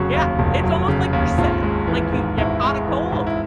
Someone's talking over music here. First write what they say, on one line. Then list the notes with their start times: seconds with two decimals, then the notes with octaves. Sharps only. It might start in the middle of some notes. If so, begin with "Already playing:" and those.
yeah, it's almost like you're sick, like you you caught a cold.
Already playing: F1 C#3 F#3 F#4
0.14 D#2
0.39 F1
0.63 F#3
0.88 C#3
1.13 D#2
1.38 G#1 F4
1.63 G#3
1.87 E3
2.12 G#2
2.38 G#1 E4
2.63 G#3
2.87 E3
3.12 G#2
3.27 E4